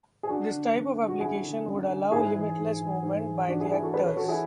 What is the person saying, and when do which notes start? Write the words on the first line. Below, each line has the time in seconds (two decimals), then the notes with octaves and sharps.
This type of application would allow limitless movement by the actors.
0.23 G#4
0.29 F#2 D4 F#4
0.52 D3
0.75 F#2
0.98 D3
1.09 F#4
1.20 F#2 E4 G#4
1.43 D3
1.66 F#2
1.89 D3
2.12 G#2 E4 G#4
2.34 E3
2.57 G#2
2.80 E3
3.03 G#2
3.26 E3
3.48 G#2 D4 F#4
3.60 E4 G#4
3.71 E3 E4 G#4
3.83 F#4 A4
3.94 F#2 G#4 B4
4.05 A4 C#5
4.17 E3 F#4 A4
4.28 E4 G#4